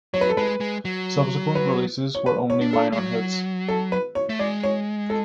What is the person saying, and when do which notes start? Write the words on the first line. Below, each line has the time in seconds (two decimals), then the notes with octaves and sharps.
Subsequent releases were only minor hits.
0.14 F#3 C#5
0.21 B4
0.30 A4
0.37 G#3 B4
0.60 G#3
0.85 F#3
1.55 B4
2.15 C#5
2.26 B4
2.50 C#5
2.61 D4
2.73 A4
2.93 G#3
2.97 F#3
3.68 A4
3.92 B4
4.15 C#5
4.29 A3
4.39 G#3 D5
4.63 C#5
5.10 A4